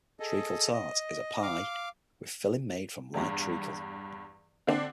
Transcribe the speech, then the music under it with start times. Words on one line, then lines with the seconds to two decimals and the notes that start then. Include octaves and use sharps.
Treacle tart is a pie with a filling made from light treacle.
0.20 G#4 A4 D#5
0.73 D#5
1.43 F5 D6
3.14 E2 G2
4.67 D3 C4 D4